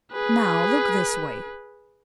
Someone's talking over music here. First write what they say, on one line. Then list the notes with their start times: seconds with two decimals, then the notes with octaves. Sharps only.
Now, look this way.
0.12 G#4 B4